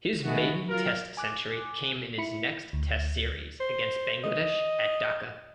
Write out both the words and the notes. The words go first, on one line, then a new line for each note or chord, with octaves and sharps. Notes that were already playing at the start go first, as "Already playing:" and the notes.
His maiden Test century came in his next Test series against Bangladesh at Dhaka.
D#3 G#3 A3 B3 F#4
F#3 F4 A#4
G#5 D6 F#6
E4 B5 C#7
D2
C5
D#5